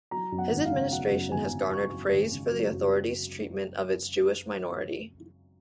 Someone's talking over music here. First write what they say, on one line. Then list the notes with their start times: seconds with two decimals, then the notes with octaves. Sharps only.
His administration has garnered praise for the authorities' treatment of its Jewish minority.
0.11 F#3 A#5
0.32 F#2
0.38 F#5
0.52 G#1
0.65 F5
0.72 C#3
0.92 F#3 F#5
1.12 F#2
1.31 G#1 G#5
1.52 C#3
1.72 F#3 C#6
1.92 F#2
2.11 G#1
2.32 C#3
2.51 F#3
2.72 F#2